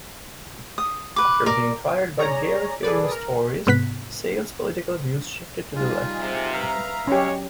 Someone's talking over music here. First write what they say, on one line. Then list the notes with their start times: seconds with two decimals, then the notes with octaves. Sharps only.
After being fired by Gary Filmon's Tories, Sale's political views shifted to the left.
0.78 D#6
1.16 B4 D6
1.46 A#4 D5
2.19 G#4 C#5 D5 A#5
2.83 G#4 A4 B4 D5
3.12 A#4
3.67 G#2 C3 B3 F#6 B6
5.76 G3 D#4 F4 G#4
6.19 C3
6.53 B4 E5 F5 A#5
7.07 F#3 G#3 C#4 G4 C#5